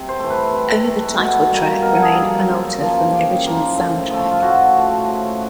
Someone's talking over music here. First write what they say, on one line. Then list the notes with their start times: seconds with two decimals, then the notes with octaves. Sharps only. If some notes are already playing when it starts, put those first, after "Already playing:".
Only the title track remained unaltered from the original soundtrack.
Already playing: C3
0.09 C5
0.19 E3 A3
0.30 B4
0.52 C3
0.85 E3 A3
1.17 B2
1.49 G3 A#3
1.82 B2 A#4
1.93 A4
2.02 G#4
2.13 G3 A#3 A4
2.47 C#3
2.80 F3 A#3
3.12 C#3 G4
3.45 F3 A#3
3.77 A2
4.10 F3 A3
4.31 F4
4.42 A2 F#4
4.75 F3 A3
5.08 C#3